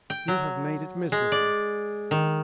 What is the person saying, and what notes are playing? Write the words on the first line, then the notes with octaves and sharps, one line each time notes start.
You have made it miserable.
G5
F#3
G#3
D5
D#3